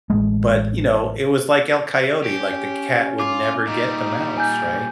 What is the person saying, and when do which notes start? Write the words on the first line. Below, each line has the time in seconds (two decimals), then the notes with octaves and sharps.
but, you know, it was, like, El Coyote, like, the c cat would never get the mouse, right?
0.10 A1 G#3 A3
2.24 C#4 G4
3.20 F4 D6
3.67 A#2 G3 D#4
4.38 G#5 G6